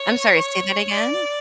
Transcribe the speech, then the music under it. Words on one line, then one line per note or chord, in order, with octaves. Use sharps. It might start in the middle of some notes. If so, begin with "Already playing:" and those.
I'm sorry, say that again?
Already playing: C#5
D5